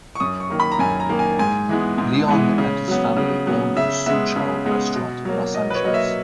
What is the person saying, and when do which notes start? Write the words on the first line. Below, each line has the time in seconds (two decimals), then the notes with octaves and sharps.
Leong and his family owned the Soochow Restaurant in Los Angeles.
0.15 C#6
0.20 F#2 D#6
0.40 C#6
0.50 D#3 A#3
0.60 B5
0.72 A#5
0.79 F#2 G#5
1.00 A#5
1.09 D#3 A#3
1.19 G#5
1.39 G#2 G#5
1.69 E3 G#3 B3
1.98 G#2
2.28 E3 G#3 B3
2.58 C#3
2.88 F#3 B3
3.17 C#3
3.47 F#3 B3
3.77 C#3 E5
4.06 G#3 B3 E5
4.36 C#3
4.66 G#3 B3
4.96 B2
5.25 F#3 A#3
5.54 B2 D#5
5.70 B4
5.75 C#5
5.84 F#3 A#3 D#5
5.94 E5